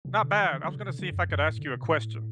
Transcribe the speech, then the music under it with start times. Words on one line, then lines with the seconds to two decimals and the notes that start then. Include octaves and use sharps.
Not bad. I was gonna see if I could ask you a question.
0.05 B2
0.22 D3
0.40 E3
0.52 D3
0.64 D3
0.76 B2
0.88 D3
0.99 D3
1.12 F#2
1.29 F#2
1.47 A2
1.59 D3
1.71 B2
1.82 A2